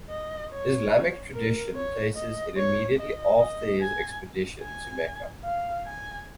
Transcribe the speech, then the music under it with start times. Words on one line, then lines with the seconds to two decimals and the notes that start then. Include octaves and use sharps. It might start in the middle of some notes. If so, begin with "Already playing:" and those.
Islamic tradition places it immediately after his expedition to Mecca.
0.10 D#5
0.51 C#5
1.34 A#4
1.75 C#5
2.16 D#5
2.57 C#5
2.98 D#5
3.39 D#5
3.81 G#5
4.63 G#5
5.44 F5
5.86 G#5